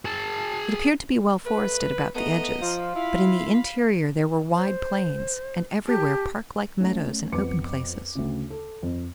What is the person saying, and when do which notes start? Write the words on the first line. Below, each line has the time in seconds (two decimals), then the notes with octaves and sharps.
It appeared to be well forested about the edges, but in the interior there were wide plains, and everywhere parklike meadows and open places.
0.05 G#4 A5
1.46 A3 B4
2.15 A3 B3 D#5 A#5
2.62 F3 F4
2.96 E4 F5 B5
4.53 C5
5.87 G4 A5
6.80 A3 C#4
7.32 F2 B3 B4 D6 C#7
8.15 D2 C#3
8.50 A4
8.83 F2